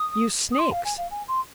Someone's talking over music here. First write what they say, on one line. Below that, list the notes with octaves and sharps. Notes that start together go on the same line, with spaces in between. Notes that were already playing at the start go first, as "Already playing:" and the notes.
You snakes!
Already playing: D#6
D#6
C6
F5
G#5
F5
G#5
C6